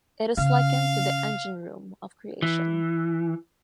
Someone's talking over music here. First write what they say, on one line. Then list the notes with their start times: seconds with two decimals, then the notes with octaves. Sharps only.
It is likened to the 'engine-room' of creation.
0.38 C#3 F5
2.42 E3